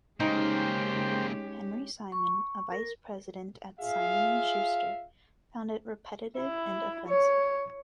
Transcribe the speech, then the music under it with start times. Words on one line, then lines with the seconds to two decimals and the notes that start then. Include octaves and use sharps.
Henry Simon, a vice-president at Simon and Schuster, found it repetitive and offensive.
0.20 C#3 G#3 A#3 C#4 D#4 G4 C5 G5
2.12 C#6
2.72 A#4
3.80 F4 G#4 E5 F5
6.38 E4
7.08 C#5